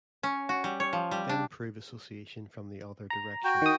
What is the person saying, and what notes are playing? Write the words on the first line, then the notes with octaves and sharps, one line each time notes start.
Then prove association from the other direction.
C#4
F#4
G3
C#5
F3
G3
D4
A#5
F#4 G5
D#3 D#6